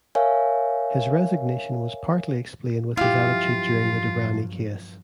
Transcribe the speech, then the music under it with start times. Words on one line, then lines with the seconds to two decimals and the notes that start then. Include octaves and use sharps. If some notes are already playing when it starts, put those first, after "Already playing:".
His resignation was partly explained with his attitude during the Dibrani case.
0.15 A#4 C#5 E5 F5 G#5
2.97 G2 F3 F#3 E4 F4 G4 F5